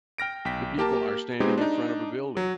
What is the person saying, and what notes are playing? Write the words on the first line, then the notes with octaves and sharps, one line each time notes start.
The people are standing in front of a building.
G5 F6 A#6 D7
B1 G5 B6
A#3 G4 A#4 A5
G#3 B3 C4 D#4 G4 G#4
D4 D#4
F#3